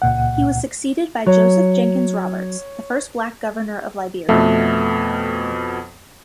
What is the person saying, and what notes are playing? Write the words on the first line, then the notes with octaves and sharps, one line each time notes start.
He was succeeded by Joseph Jenkins Roberts, the first black governor of Liberia.
C#2 A#2 F#5
F#3 C#5
F2 B2 A3 B3